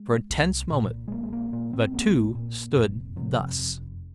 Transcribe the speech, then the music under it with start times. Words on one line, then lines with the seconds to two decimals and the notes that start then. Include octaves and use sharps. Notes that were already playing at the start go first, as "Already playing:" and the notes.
For a tense moment the two stood thus.
Already playing: G#3
0.30 C2
0.71 A#2
1.08 G#3
1.12 A#1 A#3
1.23 G#3
1.33 A#3
1.53 A#2 A#3
1.73 C4
1.94 A#1 A#3
2.35 A#2
2.76 F1
3.16 F2 C3
3.58 F1